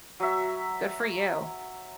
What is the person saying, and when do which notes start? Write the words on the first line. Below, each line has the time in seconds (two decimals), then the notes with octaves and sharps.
Good for you.
0.20 F#3 E5